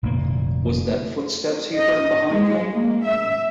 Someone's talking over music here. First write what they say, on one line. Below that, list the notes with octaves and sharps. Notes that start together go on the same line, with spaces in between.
Was that footsteps he heard behind him?
F1 A#2 D3 A#3
D#5
G#3
A#3
E5